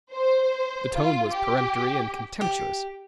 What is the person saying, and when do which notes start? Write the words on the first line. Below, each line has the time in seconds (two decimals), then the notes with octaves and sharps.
The tone was peremptory and contemptuous.
0.12 C5
0.95 F4
1.32 G4
2.41 G4